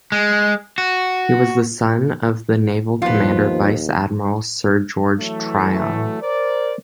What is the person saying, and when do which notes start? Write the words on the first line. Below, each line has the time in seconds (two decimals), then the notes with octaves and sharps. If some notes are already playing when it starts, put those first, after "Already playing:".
He was the son of the naval commander Vice-Admiral Sir George Tryon.
0.12 G#3
0.78 F#4
3.02 D#2 F3 B3 F4
5.18 E3 F#3 A3
6.21 A#4 C5 D5